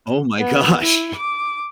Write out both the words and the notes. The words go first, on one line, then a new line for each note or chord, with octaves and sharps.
Oh my gosh.
B3
E4
D6